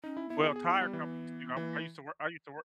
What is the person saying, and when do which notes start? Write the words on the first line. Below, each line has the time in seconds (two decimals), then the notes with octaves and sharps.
Well, tire companies, you know I used to work I used to work
0.04 C#4 D#4
0.17 E4
0.29 B3 E4
0.43 G#4
0.56 G#4
0.68 E4
0.81 G3
0.93 E3
1.57 E3 A#3